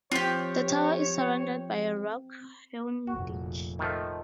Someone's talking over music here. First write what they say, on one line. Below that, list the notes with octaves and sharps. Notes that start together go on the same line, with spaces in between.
The tower is surrounded by a rock-hewn ditch.
F3 C4 F4 G4 C#5
F1 A#1 F#4
D#3 F3 A3